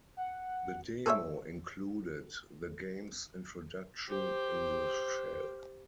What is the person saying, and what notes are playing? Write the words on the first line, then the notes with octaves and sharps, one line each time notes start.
The demo included the game's introduction in the shell.
F#5
G#4 A4 C5 C#5 E5
G4 C5